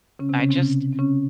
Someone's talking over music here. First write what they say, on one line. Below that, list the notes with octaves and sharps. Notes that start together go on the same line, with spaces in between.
I just
C#3 C#4
C3 C4
C#3 C#4
C3 C4
C#3 C#4
C4
C#3 C#4